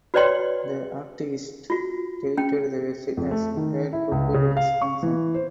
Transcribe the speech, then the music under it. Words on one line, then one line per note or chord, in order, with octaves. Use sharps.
The activist deleted the website as it had fulfilled its function.
F#4 B4 C#5 D5 G5 C6
F4 F#4
C#4 G5
F2
A3
D#3
E4
C#2
C#3
F5
C#6
E3
C5